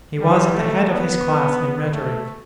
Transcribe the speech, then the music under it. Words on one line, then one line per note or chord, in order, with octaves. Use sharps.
He was at the head of his class in rhetoric.
G3
A3
B3
A3